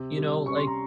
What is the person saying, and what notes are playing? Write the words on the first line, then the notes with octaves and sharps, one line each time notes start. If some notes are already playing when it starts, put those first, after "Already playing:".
you know, like
Already playing: C3
G3
C#4 C#6
C6
A#5